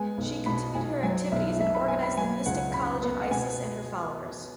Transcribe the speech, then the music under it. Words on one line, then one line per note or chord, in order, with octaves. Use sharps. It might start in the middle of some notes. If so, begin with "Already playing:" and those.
She continued her activities and organized The Mystic College of Isis and Her Followers.
Already playing: G#3 B3 G#5
B1
B2 B5
B1 G#5
F#3 G#5
B1 E5
B2 E5
B5
B3 G#5
B5
F#3 G#5
C#2 F#5
C#3 B5
B3
F#5
B2 G#5